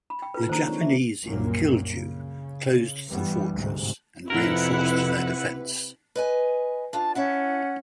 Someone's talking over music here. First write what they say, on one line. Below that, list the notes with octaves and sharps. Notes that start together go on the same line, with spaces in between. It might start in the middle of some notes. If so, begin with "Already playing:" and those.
The Japanese in Kilju closed the fortress and reinforced their defence.
B5
G5
F4 A4 B4
D#3 A#3 D4 C5 A#5
G#3 C4 C#5
B3 D5 E5
C2 F#2 A#2 F#3 A#3
C#3
G2 E3 G3 B3
D2 G#2 C3
F2 C3 E4 A#4 B4 F#5
B4 D#5 G#5
D4 F4 A5
C#4 E4 E5 F#5 A5